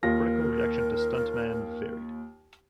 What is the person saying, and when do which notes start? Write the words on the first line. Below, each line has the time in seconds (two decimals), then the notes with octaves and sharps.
Critical reaction to "Stuntman" varied.
0.03 D#2 F4 A#4 A#6